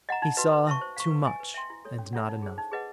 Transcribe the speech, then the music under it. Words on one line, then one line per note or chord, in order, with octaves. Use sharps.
He saw too much, and not enough.
D#5 F#5 A#5
D#4
F#4 B4 D#5
B4
E5 A5 C#6
C5
F5 A#5 C#6
B4
D#5 G#5
B4
E5 G5 C6
E4
A4 C#5
C#4
E4 A4 C#5 F#5
D#4
G#4 C5
D#4
G#4 B4 D#5 F#5